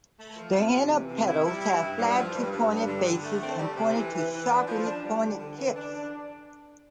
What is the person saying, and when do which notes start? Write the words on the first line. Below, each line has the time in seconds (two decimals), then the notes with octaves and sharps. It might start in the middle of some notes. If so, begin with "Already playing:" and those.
The inner petals have flat to pointed bases and pointed to sharply pointed tips.
0.19 A3
0.36 F3
0.54 C3
0.73 C3
0.90 E3
1.08 C3
1.27 E4
1.44 G3
1.61 E4
1.80 G2
1.97 G2
2.16 F3
2.34 G2
2.52 G2
2.70 G2
2.87 D3
3.06 D3
3.23 A3
3.42 C4
3.59 G3
3.77 C3
3.95 E3
4.13 E3
4.31 E3
4.49 D4
4.67 F3
4.85 D4
5.03 G3
5.21 D3
5.40 D3
5.57 E3
5.75 D4
5.93 D4